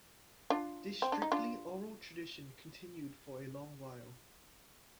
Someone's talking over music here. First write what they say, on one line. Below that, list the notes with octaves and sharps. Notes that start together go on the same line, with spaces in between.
This strictly oral tradition continued for a long while.
D4 F4
C4
D4
D#4
D4 F4